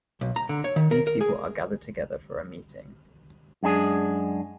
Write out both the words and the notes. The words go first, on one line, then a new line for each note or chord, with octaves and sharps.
These people are gathered together for a meeting.
B1
A#5
D3
C#5
D#3
A#4
A#4
G#4
F#2 G#3 D4 G#4